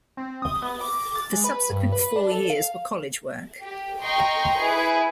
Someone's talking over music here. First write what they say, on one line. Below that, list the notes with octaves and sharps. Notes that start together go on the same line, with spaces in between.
The subsequent four years were college work.
C4
D#6
B3
D6
A6
G#3
B4
G2
B4
D4
A4
F5
G4
D#5 G5 A#5 C6 C#6
E4 G#4 B4